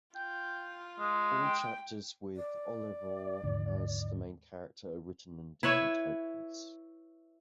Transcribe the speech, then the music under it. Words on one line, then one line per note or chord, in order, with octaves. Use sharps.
All chapters with Olivaw as the main character are written in a different typeface.
F4 G5
G#3
G5
D5
D#2 G#2 D3
E4 B4 C#5 E5